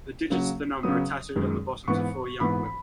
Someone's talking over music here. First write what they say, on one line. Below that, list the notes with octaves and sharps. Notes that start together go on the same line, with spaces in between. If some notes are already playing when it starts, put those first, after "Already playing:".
The digits of the number are tattooed on the bottoms of four young women.
C#3 F#3 A#3
C#3 F#3 B3 D#6
F#2 D#3 G#3
G#2 E3 B3 C#6
G#2 E3 B3 B5
B5